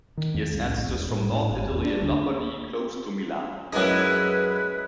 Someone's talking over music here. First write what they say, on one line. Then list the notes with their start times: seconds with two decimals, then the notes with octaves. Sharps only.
He has ancestors from North Italy in Lombardy, close to Milan.
0.17 D#3
0.34 F2
0.52 C2
0.65 A2
0.77 A#1
0.89 E1
1.10 A2
1.32 A2
1.50 G#1
1.70 E1
1.84 D4
2.02 D2
3.73 F#2 G#3 D#4 E4 B4